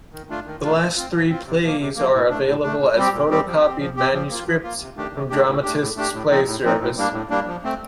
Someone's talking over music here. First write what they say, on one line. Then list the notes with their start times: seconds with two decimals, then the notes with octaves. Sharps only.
The last three plays are available as photocopied manuscripts from Dramatists Play Service.
0.13 D#3
0.30 A3 D4 F4
0.46 D#3
0.63 A3 D4 F4
0.79 F3
0.96 C4 F4
1.13 F3
1.29 C4 F4
1.46 C3
1.63 F3 A#3
1.80 C3
1.96 F3 A#3
2.13 A2
2.30 A3 D4
2.46 A2
2.63 A3 D4
2.80 A#2
2.96 G3 C4 G4
3.13 A#2
3.29 G3 C4 G4
3.46 F3
3.63 C4 G4
3.79 F3
3.97 C4 G4
4.13 F3
4.30 A#3 F4
4.46 F3
4.63 A#3 F4
4.80 C3
4.96 D#3 A3 D4 G4
5.13 C3
5.30 D#3 A3 D4 G4
5.47 A2
5.63 A3 D4 G4
5.80 A2
5.96 A3 D4 G4
6.13 A2
6.30 F3 C4 D#4
6.46 A2
6.63 F3 C4 D#4
6.80 A2
6.97 G3 A#3 D4
7.13 A2
7.30 G3 A#3 D4
7.47 F3
7.63 A3 C4